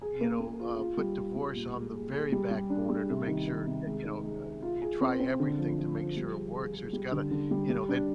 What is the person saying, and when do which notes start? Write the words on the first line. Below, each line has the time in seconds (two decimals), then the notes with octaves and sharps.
you know, uh, put divorce on the very back burner to make sure, uh, you know, uh, you try everything to make sure it works. There's gotta you know, they
0.01 G#4
0.21 A#3
0.40 A#3
0.60 F4
0.79 F4
0.97 G3
1.17 F4
1.36 G3
1.55 A#2
1.74 G#3
1.94 G#4
2.13 G#4
2.32 G3
2.51 G3
2.70 D4
2.89 G3
3.09 C3
3.27 D#3
3.47 D#3
3.66 C3
3.86 G#3
4.05 D#4
4.24 G#3
4.44 G#4
4.62 F4
4.82 G#4
5.01 C4
5.20 C4
5.40 D3
5.58 F3
5.78 F3
5.97 F3
6.17 G3
6.36 G#4
6.54 G#4
6.73 G#4
6.93 G3
7.12 D3
7.31 D3
7.51 G3
7.70 G3
7.89 D4